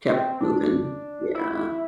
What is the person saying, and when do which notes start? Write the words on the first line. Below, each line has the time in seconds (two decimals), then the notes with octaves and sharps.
kept moving. Yeah.
0.09 C4
0.40 D4
1.34 E4